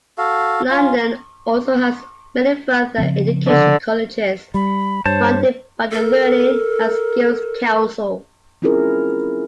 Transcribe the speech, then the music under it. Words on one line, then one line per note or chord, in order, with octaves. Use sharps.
London also has many further education colleges funded by the Learning and Skills Council.
F#4 A4 F5
C#4 F4
C#3 F3 C4
D3
G3 B5
G2 C5 C#5 A5
A4 A#4
C4 C#4 E4 F4 G#4 A#4